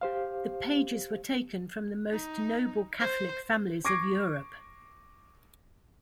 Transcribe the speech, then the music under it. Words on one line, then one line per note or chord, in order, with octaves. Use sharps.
The pages were taken from the most noble Catholic families of Europe.
G4 C5 F5
D#4
C5
C#6 D6 G#6 A#6 C7 D7